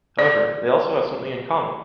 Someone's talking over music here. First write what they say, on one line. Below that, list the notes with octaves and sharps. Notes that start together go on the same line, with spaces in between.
However, they also have something in common.
D5